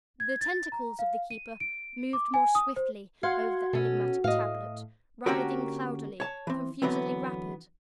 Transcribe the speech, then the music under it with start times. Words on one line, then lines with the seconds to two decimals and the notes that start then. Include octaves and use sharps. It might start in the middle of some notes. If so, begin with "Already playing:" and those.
The tentacles of the Keeper moved more swiftly over the enigmatic tablet; writhing cloudily; confusedly rapid.
0.20 G#6
0.41 A6
0.72 A#5
0.99 F5
1.31 D#7
1.60 D7
2.13 D6
2.34 G#5
2.55 D#6
2.76 C5
3.23 F#4 F5 F#5 C6 G#6
3.73 B2 C#4 A4
4.24 A2 D#5 F5
5.26 D3 A#3 C#4 F#4 G4 A#4
6.20 C#5 A5
6.47 E3 C4
6.82 D3 E3 F#3 B3 C4